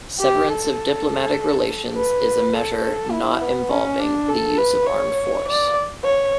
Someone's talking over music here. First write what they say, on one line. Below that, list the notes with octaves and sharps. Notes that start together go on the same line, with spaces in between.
Severance of diplomatic relations is a measure not involving the use of armed force.
G4
A4
B4
A4
E4
B3
C#4
D4
A4
B4
C#5
D5
C#5